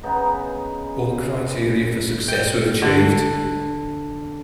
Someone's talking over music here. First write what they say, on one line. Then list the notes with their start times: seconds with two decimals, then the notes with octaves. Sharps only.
All criteria for success were achieved.
0.03 C#3 B3 D#4
2.28 G5
2.82 D3